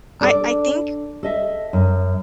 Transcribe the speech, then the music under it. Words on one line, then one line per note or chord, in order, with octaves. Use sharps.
I I think
D4 A4 D5
A4 D#5 E5
F#2